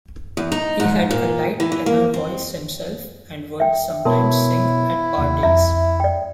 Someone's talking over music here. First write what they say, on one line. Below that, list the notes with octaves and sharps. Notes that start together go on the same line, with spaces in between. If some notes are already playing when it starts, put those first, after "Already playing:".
He had a light tenor voice himself and would sometimes sing at parties.
E2
D#4
G#2
A#2
E3
E3
A#3
C4
E5 G5
B2 B3 E4 A#4 C#5 A5 C6
D#2 C3
F2 E5 A#5
D5 G5